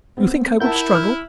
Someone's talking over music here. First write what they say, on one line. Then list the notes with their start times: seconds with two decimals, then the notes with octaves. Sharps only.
You think I would struggle?
0.17 B3 C4
0.60 E4 A#4 F#5 A5 G6
0.95 F6